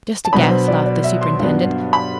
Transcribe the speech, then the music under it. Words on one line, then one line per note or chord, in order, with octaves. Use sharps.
"Just a guess," laughed the superintendent.
A5
B2 F#3 B3 D4 B5
B4
C5
D5
D5
E5
C6
G2 F#3 B3 D4
B5